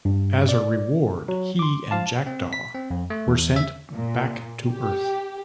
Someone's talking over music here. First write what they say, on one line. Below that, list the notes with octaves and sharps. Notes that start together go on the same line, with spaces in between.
As a reward, he and Jackdaw were sent back to Earth.
G2
D5
F#3
C6 D6
F3 F5 A5
C4
B6
C4
F2
A3
E2
E5
A#2
G4